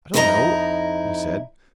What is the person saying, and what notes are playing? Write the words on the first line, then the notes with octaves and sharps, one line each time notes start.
"I don't know," he said.
F2 D#4 E4 A4 D#5 A#5